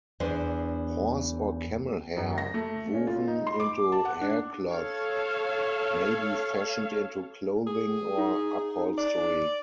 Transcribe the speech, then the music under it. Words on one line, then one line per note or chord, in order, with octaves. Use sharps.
Horse or camel hair woven into haircloth may be fashioned into clothing or upholstery.
E2 D4 C5
F#2
A#6
A3
C#4
F4
D#4
C6
D6
A5
F#5
D4
A4 C#5 F5
G#4
D#4
D5